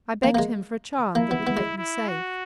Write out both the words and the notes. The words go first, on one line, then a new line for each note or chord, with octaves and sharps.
I begged him for a charm that would make me safe.
A#3
A#3
G#3
A#3 E4
B3
B3
G#3
E4
F#4